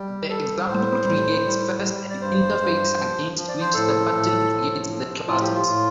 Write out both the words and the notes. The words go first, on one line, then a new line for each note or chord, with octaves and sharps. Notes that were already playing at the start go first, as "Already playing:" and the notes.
The example creates first an interface against which the pattern creates the classes.
Already playing: G3
G3 A4
A2 C5
A2
G3
G3
D5
G2 C5
G2
F3
F3
D5
C5
A2 A4
A2
F3
F3
A2 F4
G4
F4
A2